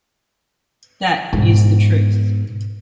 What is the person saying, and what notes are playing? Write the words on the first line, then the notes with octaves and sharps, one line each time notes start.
That is the truth.
G#2 B2